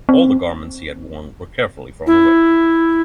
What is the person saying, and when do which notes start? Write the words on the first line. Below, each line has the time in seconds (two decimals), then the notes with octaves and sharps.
All the garments he had worn were carefully thrown away.
0.09 C4
2.07 E4